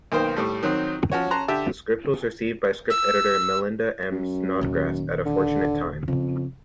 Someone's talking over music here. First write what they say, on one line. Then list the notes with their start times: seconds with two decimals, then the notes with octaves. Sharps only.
The script was received by script editor Melinda M. Snodgrass at a fortunate time.
0.12 B1 D#3 A#3 C5 G5
0.36 A2 G3 A3
0.63 D#3 F#3 C4
1.12 F3 C#4 F#4 C#5
1.31 C#4 A5 A#5 C6 F#6
1.48 D3 G4 E5 A5
2.90 E6
4.12 F#2
4.61 D#1 D#3
5.26 D3
6.08 F2 C#3